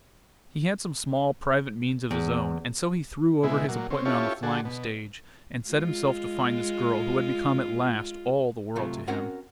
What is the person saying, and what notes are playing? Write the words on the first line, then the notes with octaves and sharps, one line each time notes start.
He had some small private means of his own, and so he threw over his appointment on the flying stage, and set himself to find this girl who had become at last all the world to him.
E2
B2 G#3 E4
A#2 F#3
C4 C#4
C#4 E4 F4 G4 A4 C#5
D3 F#4 G#4 A4
B2
G#3 F4
C3 F#3 A3 F4
C4 C#4 F#4 A#4 F#5 A#5